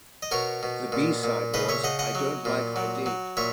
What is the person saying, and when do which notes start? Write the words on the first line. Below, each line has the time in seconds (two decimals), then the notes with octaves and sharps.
The "B" side was "I Don't Like I Did".
0.22 D#5
0.31 B2 A#4 C#5
0.63 B2
0.92 A#2
1.24 A#2
1.54 C#3 B4 D#5
1.69 C#5 E5
1.84 C#3 D#5 F#5
1.99 D#5 F#5
2.15 F#3
2.45 A#2
2.76 F#3
3.06 F#3
3.37 A#2 C#5 E5